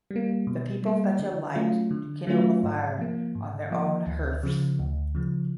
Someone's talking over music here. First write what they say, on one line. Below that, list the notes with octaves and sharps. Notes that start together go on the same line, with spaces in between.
The people fetch a light to kindle the fire on their own hearths.
G3
A#3
B2
G3 A#3
D3
F#3 A3 C#4 F4
D3
F#3 A3 C#4 F4
G#2
F3 A#3
G#2
F3 A#3
D2
C#3 F3
D2
C#3 F3